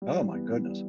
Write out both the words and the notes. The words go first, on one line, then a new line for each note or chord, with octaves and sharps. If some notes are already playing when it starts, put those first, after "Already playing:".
Oh, my goodness.
G3
E3
B3
E4
G3